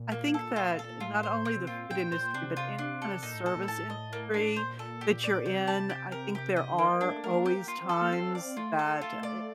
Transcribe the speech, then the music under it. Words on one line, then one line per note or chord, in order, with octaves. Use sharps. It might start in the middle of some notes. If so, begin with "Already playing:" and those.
I think that not only the food industry, but any kind of service industry that you're in, I think there are always times that, I
Already playing: A#2
A#3
A4
F4
A4
A2 F4
C5
A#2 C4
C3
A#2 F4
A#2 G5
A#2 C5
C3 D4
F4
D4
A4
A#2 D#4
A2
A#2 A4
A#2
A2 A5
D#5
A#3
D4
A#2 C5
A4
G4
D5
C3 G4
A5
G4
A#4
G4
D#5
D3
D#3 A#3
F3
G3 D4
A3
A3 A#4
A#3
C4 G4
A#3
A#3 F4
C4
A4
A#3
C4 F5
D5
A3 F4
A4
F4
D5